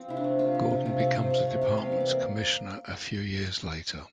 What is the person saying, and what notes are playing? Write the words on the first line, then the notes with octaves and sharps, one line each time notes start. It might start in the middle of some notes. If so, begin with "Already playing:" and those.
Gordon becomes the department's commissioner a few years later.
Already playing: F3 C4
C3 E4
D4
A3
C3 F4
F3
C3
A3 F4
C3 A4
F3 C5
C3
A3
C3
G3 F5
E3
D5
A#3